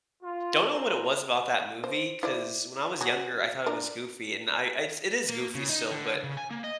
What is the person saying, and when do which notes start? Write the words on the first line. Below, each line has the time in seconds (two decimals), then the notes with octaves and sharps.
don't know what it was about that movie, 'cause when I was younger, I thought it was goofy, and I it's it is goofy still, but
0.23 F4
0.69 C4 C#4 F4 A#5
1.84 C5
2.23 E4 C5 D5
3.01 F#3 F#4 G#4
3.66 D4 A#4
5.29 A#3
5.55 C#3
5.69 D#4
5.91 D3
6.23 C#3
6.37 G#5
6.51 A#3
6.64 D#5